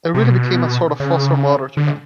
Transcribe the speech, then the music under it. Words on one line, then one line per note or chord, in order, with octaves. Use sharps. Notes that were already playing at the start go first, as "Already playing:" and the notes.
I really became a sort of foster mother to them.
C3
B2
C#3
D3